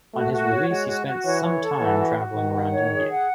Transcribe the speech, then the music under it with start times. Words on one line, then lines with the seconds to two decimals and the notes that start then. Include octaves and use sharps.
On his release he spent sometime travelling around India.
0.14 A3 F#4
0.32 F#4
0.51 C#5
0.69 G#3 F#4
0.87 F#4
1.06 F#4
1.24 E3 C#5
1.42 C#5
1.61 A4
1.80 E3 F#4
1.99 F#4
2.17 F#4
2.35 D#3 F#5
2.53 F#5
2.71 C#5
2.91 G#4
3.09 F#5